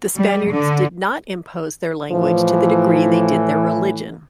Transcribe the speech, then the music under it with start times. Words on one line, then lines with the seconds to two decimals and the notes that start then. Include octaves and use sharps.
The Spaniards did not impose their language to the degree they did their religion.
0.16 G3
0.50 D3
2.11 A2 E3 F3